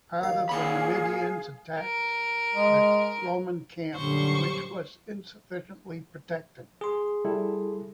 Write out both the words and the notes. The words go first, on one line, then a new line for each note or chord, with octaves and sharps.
Part of the Numidians attacked the Roman camp which was insufficiently protected.
D#2 F5
A#2 G#4 C#5 E5 F5 G5 B5
A#4
G#3
F#2 A#2 D3 G3 C5 C#6
G#4 C6
G3 E4 A4